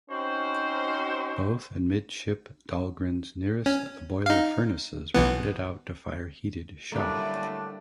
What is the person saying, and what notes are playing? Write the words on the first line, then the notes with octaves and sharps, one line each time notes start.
Both amidship Dahlgrens nearest the boiler furnaces were fitted-out to fire heated shot.
C4 C#4 D#4 F#4 C5
C#4
D#4 F5
B1 E3 B3
F#2 A2 D3 G3 A3 A#3 D4